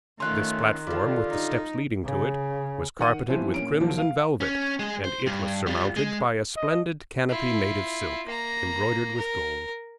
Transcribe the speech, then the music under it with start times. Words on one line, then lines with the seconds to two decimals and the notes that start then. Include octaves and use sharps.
This platform, with the steps leading to it, was carpeted with crimson velvet, and it was surmounted by a splendid canopy made of silk, embroidered with gold.
0.20 D#3 A3 C#4 F4 F5 C6 F#6
0.87 D3 G3 F4
1.30 D#4
2.04 C#3
2.99 D#3 F#5 D#7
3.28 E3 F3 G3 B3 C4 E4
3.54 A#2 C#4 D7
3.80 D#2 D#3 F3 F#3
3.98 F5
4.41 C#4
4.79 G#3 G#4
5.04 C5
5.26 G2
5.67 G3 F4
5.97 G#3
6.57 D#5
7.29 E4 F4
8.27 A#3 A#5
9.17 A#4